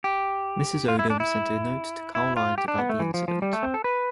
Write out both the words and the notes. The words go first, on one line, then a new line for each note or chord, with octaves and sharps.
Mrs. Odom sent a note to Carl Lyons about the incident.
G4
F4
E4
D4
E4
E4
F4
G4
D4
B3
A3
E3
F3
F3
G3
A3
C4
A4
B4